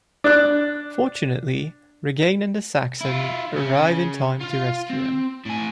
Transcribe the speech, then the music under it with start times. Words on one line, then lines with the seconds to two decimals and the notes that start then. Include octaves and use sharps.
Fortunately, Regeane and the Saxon arrive in time to rescue him.
0.24 D4 F#6
3.01 E4 F4
3.56 C#3 C#4
4.41 F4 F5
4.90 C4
5.46 A2 G#5